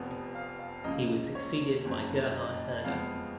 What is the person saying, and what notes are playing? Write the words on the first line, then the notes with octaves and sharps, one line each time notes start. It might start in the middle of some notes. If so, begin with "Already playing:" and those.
He was succeeded by Gerhard Herder.
Already playing: F1 F2 F3 B3
F5
F5
C#2 C#3 F3 A#3 D#5
C#5
F#1 F2 C#3 F#3
D#5
F2 F3 G#3 B3 F5